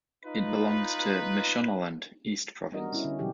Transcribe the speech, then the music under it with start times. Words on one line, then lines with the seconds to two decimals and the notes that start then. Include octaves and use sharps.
It belongs to Mashonaland East province.
0.24 D#4 F4 B4
2.72 G3 B3 D4 F#4 A#4 D#5
2.93 C#4 E4
3.04 D3 C#4
3.19 B2 E3 F#3 G3 D4 G4